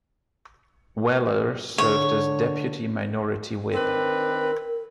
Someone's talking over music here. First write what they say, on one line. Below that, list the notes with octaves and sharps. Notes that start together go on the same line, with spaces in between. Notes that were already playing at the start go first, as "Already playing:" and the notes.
Weller served as Deputy Minority Whip.
D3 C#5
D#3 C4 D4 A#4 B4